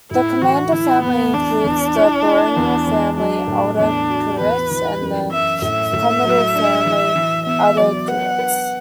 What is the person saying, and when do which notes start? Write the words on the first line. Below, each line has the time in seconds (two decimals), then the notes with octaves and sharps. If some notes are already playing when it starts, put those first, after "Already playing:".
The commander family includes the baronial family Adlercreutz and the comital family Adlercreutz.
0.11 A2 E4
0.42 E3 F#4
0.72 E3 E4
1.03 E2 B3
1.34 E2 D4
1.64 E2
1.95 E4
2.25 E4
2.56 E2
2.87 E2
3.17 F#3 D4
3.47 A2
3.78 E2 D4
4.09 F#4
4.40 E2 B4
4.70 E3
5.01 F#2
5.32 F#2 E5
5.62 A2 E5
5.93 A2
6.24 F#3
6.54 D4
6.85 E3
7.16 E3
7.46 B3 E5
7.76 F#3 D5
8.08 B4 F#5
8.39 B4